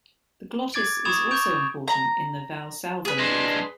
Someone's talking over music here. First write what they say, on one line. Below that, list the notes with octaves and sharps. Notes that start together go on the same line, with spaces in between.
The glottis is also important in the valsalva maneuver.
D6 G#6 A6 D7
B5 C#6 D#6 G#6 E7 F7
C#6 G6 D7 F7
A#5
G#4 B4
G#3 D4 C6